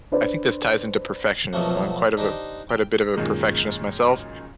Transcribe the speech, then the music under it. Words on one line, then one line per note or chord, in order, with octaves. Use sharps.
I think this ties into perfectionism. I'm quite of a quite a bit of a perfectionist myself
D4 B4 C5 D5
B2 F3 F#3 A3 A#3
D4 D#4 G4 C5
G5
F#2 A#2 D#3 G#3